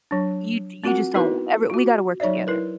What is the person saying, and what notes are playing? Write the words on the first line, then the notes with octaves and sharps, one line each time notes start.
you d you just don't ever we gotta work together.
F#3 D4
C4 F4 F#4 A#4 F#5
B3 D#4 E4 F#4 A#4 B4
F4 F#4
F#3 D#4 C#5 D5 E5
E4 A#4 B4